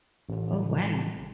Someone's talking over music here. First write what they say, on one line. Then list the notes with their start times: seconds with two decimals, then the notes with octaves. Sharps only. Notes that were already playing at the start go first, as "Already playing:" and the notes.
Oh, wow.
0.29 A1